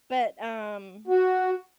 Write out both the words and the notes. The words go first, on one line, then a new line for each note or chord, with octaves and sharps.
But, um,
F#4